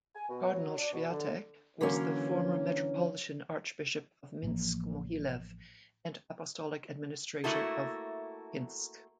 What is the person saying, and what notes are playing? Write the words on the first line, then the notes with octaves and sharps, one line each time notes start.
Cardinal Swiatek was the former Metropolitan Archbishop of Minsk-Mohilev, and Apostolic Administrator of Pinsk.
G#5
B2
F#3
D4
B2
D3
D3 E3 F#3 A#3 C#4
A1 F3 A#3
A3 A#3 E4 F#4 A4